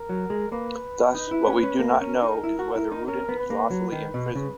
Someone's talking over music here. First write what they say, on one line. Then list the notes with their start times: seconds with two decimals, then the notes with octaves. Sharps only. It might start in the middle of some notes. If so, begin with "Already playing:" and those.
Thus, what we do not know is whether Rudin is lawfully imprisoned.
Already playing: A#4
0.09 F#3
0.30 G#3
0.52 A#3 B4
1.15 D#4
1.31 E4
1.47 C#4
1.63 C#4
1.79 A#3 A#4
2.01 C#4
2.22 D#4
2.44 E4
2.59 F#4
2.76 E4
2.92 D#4
3.07 C#4 A#4
3.29 B3
3.39 B4
3.50 A#3
3.71 F#3
3.92 D#3
4.14 B2
4.35 C#3